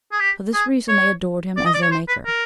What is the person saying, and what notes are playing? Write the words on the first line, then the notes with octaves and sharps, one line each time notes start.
For this reason they adored him as their maker.
G#4
G4
G#4
C#5
D5
D#5
D5
C#5
C5
B4
A#4